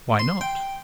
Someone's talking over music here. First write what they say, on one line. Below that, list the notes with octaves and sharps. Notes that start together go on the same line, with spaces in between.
"Why not?"
C6
G5